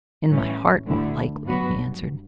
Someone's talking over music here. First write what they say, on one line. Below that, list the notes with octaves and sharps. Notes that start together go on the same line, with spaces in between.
"In my heart, more likely," he answered.
A2 E3 G3 C#4
D2 D3 A3 E4
G2 F#3 B3 F#4 B4